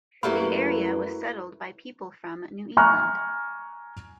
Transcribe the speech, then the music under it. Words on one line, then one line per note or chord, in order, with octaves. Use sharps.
The area was settled by people from New England.
F#2 F#3 A3 A#3 E4 G4 B4 B5
G#5 A#5 C#6 F6 F#6